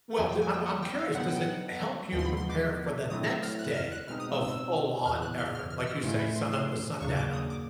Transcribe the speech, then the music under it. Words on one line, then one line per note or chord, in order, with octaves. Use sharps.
Well, j I'm I'm curious, does it help you prepare for the next day of full-on effort? Like, you say, sun up the sundown.
F2 D3 F3 A#3 G#5
G5
G#5
G5
F#5
G5
F5
D3 F#3 B3 D#4 F#5
G5
F#5
D#2 D3 F3 G#3 B3 G5
C6
B5
C6
D6
D3 F#3 A3 C4 E4 D#6
E6
F6
F#6
F6
F#6
B2 G#3 C4 D#4 F6
D#6
E6
E6
E2 C#3 E3 F6
F#6
F6
F6
F6
E6
F6
A2 F3 A3 C#4 E4 C6
B5
C6
C6
D#2 C#3 F#3 A#3 D4 C#6
D6
D#6
D6